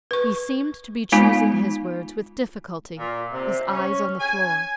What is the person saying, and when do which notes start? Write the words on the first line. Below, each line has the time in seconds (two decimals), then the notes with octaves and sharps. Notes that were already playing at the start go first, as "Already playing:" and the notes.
He seemed to be choosing his words with difficulty, his eyes on the floor.
0.11 B4 C#6
1.12 G#3 B3 D#4 F4 G#5
2.97 A#2
3.33 C3
3.69 C#4
4.20 G#5